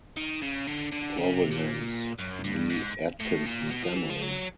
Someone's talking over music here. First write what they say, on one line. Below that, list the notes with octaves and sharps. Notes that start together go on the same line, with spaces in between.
Provenance: The Atkinson family.
D#3
C#3
D3
D3
C#3
C3
A#2
F#2
G2
G#2
A2
A#2
B2
F3
E3
F3
F#3